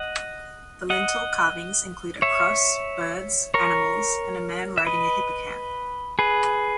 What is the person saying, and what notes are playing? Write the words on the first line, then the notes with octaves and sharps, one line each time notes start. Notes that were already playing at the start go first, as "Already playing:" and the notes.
The lintel carvings include a cross, birds, animals, and a man riding a hippocamp.
Already playing: D#5 F#5
D#5 F#5
C#5 E5
A#4 C#5
E5
B4 D#5
G#4 B4